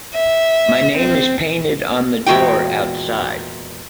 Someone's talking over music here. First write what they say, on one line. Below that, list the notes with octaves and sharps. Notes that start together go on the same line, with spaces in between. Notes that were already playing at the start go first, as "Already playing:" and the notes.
My name is painted on the door outside.
E5
C4
E2 A#2 G#3 F#4 G5